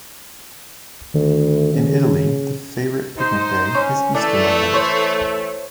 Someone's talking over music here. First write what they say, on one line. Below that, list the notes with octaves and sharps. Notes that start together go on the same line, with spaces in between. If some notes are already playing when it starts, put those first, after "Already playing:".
In Italy, the favorite picnic day is Easter Monday.
D2 D#3
C#3
D#4 C5
C#4
E3 A3 D4
C5 C#5